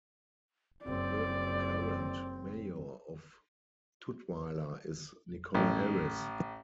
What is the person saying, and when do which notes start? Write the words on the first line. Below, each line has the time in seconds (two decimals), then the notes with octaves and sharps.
The current mayor of Tutwiler is Nichole Harris.
0.85 F#1 C4 D5
5.55 A1